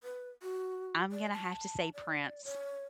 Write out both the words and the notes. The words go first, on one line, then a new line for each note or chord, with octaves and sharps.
I'm gonna have to say Prince.
B4
F#4
D5
A5
D5
C#5